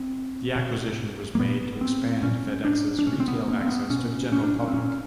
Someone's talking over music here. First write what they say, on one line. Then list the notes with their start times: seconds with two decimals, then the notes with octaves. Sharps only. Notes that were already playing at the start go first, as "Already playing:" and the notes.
The acquisition was made to expand FedEx's retail access to the general public.
Already playing: C4
0.56 B2
1.35 A#3
1.39 A#2 B3
1.81 C4
2.22 A#2 C#4
2.65 D4
2.99 D4
3.06 B2 C#4
3.20 C4
3.28 B3
3.48 A#3
3.61 C4
3.69 B3
3.90 B2 C#4
4.32 C#4
4.44 D4
4.56 C#4
4.68 C4
4.73 A#2 C#4